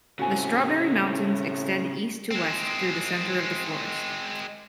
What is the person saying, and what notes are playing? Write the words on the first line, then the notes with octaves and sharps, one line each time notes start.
The Strawberry Mountains extend east to west through the center of the forest.
A2 C#3 C4 F#4 G#5
G#3 C4